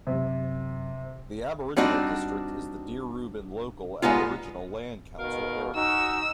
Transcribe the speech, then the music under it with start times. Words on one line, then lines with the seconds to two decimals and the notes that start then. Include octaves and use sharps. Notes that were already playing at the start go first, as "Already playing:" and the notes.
The Aboriginal district is the Deerubbin Local Aboriginal Land Council Area.
0.07 F#2 C3 F#3
1.76 G3 C4 D4 D#4 F#4
4.02 G3 G#3 B3 D#4 F4
5.19 B2 D#3 A#4 F5
5.75 C#4 D#4 F#4 E6